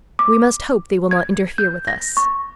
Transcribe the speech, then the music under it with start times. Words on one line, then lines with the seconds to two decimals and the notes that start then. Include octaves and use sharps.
"We must hope they will not interfere with us."
0.19 D6
1.11 G#6
1.58 G6
1.88 A#6
2.17 C#6